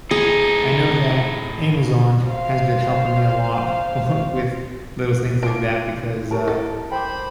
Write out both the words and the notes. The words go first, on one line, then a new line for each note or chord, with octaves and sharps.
I know that Amazon has been helping me a lot w with little things like that because, uh,
A2 D#4 G#4
C5 F5
F4 A5 D6 D7
E4 G4 A#4 A5
A4
C5 G5 B5 D6